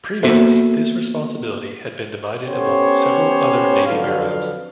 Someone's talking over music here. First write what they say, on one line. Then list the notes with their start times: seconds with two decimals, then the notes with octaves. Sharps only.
Previously, this responsibility had been divided among several other navy bureaus.
0.23 A#3 B3 F#4 A4 C5 E5
2.45 B3 C#4 G4 A4 C5 C#5
3.86 F2 D3 F#3 B4 F5